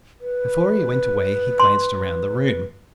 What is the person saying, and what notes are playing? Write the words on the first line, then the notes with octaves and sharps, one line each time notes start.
Before he went away, he glanced around the room.
B4
C6